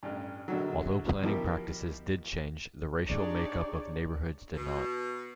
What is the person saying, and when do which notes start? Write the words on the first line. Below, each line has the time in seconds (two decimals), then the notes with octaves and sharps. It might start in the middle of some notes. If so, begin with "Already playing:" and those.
Although planning practices did change, the racial make-up of neighborhoods did not.
0.03 A1 G2
0.48 A#1 D3 F#3
1.22 B2 F3 E4 G4 A#4
3.07 D4 D#4 G4 G#4 C#5 D5
4.55 B2